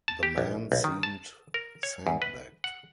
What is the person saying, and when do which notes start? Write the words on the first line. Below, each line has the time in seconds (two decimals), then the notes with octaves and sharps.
The man seemed sandbagged.
0.08 A5
0.23 G4
0.38 A#1
0.72 B1
0.84 D#3
1.03 A5
1.54 A#4
1.83 C#5
2.07 E2
2.22 B4
2.64 F#5